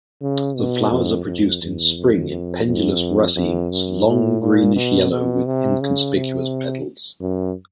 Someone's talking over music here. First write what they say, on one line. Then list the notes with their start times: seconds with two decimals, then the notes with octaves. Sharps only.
The flowers are produced in spring in pendulous racemes long, greenish-yellow with inconspicuous petals.
0.22 C#3
0.57 B2
0.91 F2
1.26 F2
1.62 E2
1.96 F2
2.31 F2
2.66 F2
3.36 F2
3.71 F#2
4.07 A2
4.41 A#2
4.76 B2
5.11 B2
5.46 C3
5.81 C#3
6.16 C3
7.21 F#2